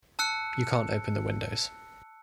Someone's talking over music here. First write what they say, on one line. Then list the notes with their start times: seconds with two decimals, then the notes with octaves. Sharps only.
You can't open the windows.
0.19 A5 E6 F#6 C#7